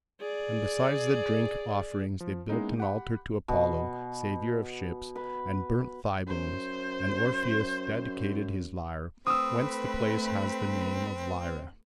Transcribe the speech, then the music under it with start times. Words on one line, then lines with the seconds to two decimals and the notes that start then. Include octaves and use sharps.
And besides the drink offerings they built an altar to Apollo, saviour of ships, and burnt thigh bones; and Orpheus dedicated his lyre; whence the place has the name of Lyra.
0.21 G#4 D5
2.20 F3
2.49 G#3 A#3 B3 C#4 D#4 E4
2.78 G4 F#5 B5
3.48 B2
5.15 B4
6.27 F#2 C5
9.27 A3 C4 B4 B5 D#6 E6